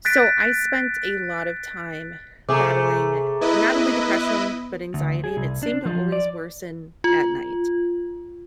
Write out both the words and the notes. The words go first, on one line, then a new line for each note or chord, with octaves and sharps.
So, I spent a lot of time battling, not only depression, but anxiety, and it seemed to always worsen at night.
F#6 A6 B6 D7
C3 A3 G#4 A#5 D6
B3 E4 B4 D#5
D2
G#4
C2
D4
F3
D5
F4